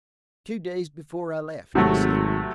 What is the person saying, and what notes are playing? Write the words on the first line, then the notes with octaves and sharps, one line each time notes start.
"Two days before I left," he said.
G#1 C3 F#3 A3